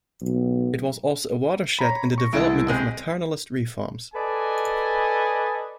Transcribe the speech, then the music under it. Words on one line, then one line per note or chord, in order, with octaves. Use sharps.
It was also a watershed in the development of maternalist reforms.
B1
C#5 A#5 B5
C#6 A#6
C2 G#2 E4 A4 D7
B2 G#3 C4
A4 B4 D5 D#5 G#5